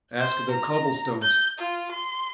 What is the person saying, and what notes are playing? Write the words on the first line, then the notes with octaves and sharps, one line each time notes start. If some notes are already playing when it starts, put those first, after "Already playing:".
Ask the cobble stones.
C5
A#5
G6
F4
C6